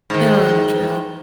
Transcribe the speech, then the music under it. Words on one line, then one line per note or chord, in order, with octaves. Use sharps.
I don't like country at all.
G#2 D#3